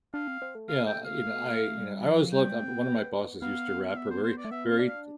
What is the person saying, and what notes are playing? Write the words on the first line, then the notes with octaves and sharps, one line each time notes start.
yeah, uh, you know, I, you know, I always loved uh, one of my bosses used to wrap her very very
D4 F5
C4
C4
A3
F5
G5
F5
G3
F3
G3 G5
A3
C4
B3
B3
B3 F5
F5
E5
C5
C5
D5
A3
B3 E5
C4 F5
D4
F5